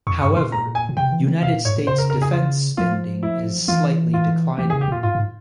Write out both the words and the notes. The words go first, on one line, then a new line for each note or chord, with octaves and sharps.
However, United States defense spending is slightly declining.
F2 C#6
G2 C#6
A#2 C6
A#5
G#5
A#2
C3 G5
E3
E3
C3 F5
A#2
G#2 C#5
A#2
C#3 C5
A#4
A#4
G#4
F4
F3 F4
E4
E3 F4
F4
E3 G4
G#4
C#3
G4
A#2 F4
G#2 F4
G#2